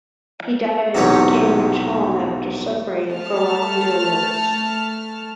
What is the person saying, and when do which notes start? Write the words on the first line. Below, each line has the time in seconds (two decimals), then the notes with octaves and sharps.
He died at his Cambridge home after suffering a prolonged illness.
0.95 B1 E2 G#2 C3 G4 C#5
3.11 A3 A5 F6